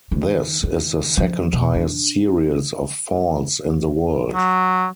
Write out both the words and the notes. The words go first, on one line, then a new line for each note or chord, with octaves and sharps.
This is the second-highest series of falls in the world.
D#3
D#3
F3
B2
D4
F#3